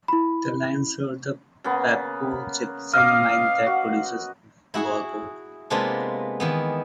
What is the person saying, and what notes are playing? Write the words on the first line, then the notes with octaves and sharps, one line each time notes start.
The line serves the Pabco Gypsum Mine that produces wallboard.
E4 B5
C#3 A#3 B3
D#5 F5 D6 F6
F#4
E4 F#4 G#4 F#5
C3 G#3 A#3 B3 D4 F4
D#3 E3 B3